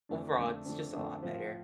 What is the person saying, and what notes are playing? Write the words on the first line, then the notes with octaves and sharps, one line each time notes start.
Overall, it's just a lot better,
F2 D3 A3 D4
F2 D3 A3 D4
F2 D3 A3 D4
F2 D3 A3 D4
A2 F3 C4